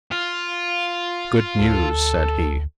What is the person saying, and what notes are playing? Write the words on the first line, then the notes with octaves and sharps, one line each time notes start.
"Good news," said he.
F4
D2 A4